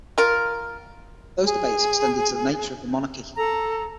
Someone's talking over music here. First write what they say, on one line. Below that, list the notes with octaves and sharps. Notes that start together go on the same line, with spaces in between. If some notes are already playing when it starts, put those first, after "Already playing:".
Those debates extended to the nature of the monarchy.
F4 A#4
G#4
A4 A#5